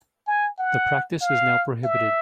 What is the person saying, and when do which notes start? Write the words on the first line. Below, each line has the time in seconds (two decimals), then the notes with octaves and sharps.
The practice is now prohibited.
0.27 G#5
0.59 F#5
1.21 F5
1.83 E5